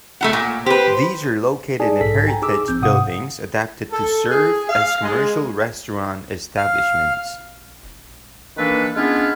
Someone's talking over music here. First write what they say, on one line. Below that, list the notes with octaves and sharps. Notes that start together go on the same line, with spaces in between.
These are located in heritage buildings adapted to serve as commercial restaurant establishments.
A3 F4 F#5
A#2
G4 B4 C5
D#4 G#4 D5 G#5 A5
B1 G#2 A4 B6
G5 G#5 A#5
D#4 G#4 D6 E6
A#1 C4 G6
G#2 C3 F5 F#5 D#6
A4
G#4
F5
G#3
F5
D#3 E3 A#3 D4 A4 B4
G#3 B3 C#4 D4 E4 F4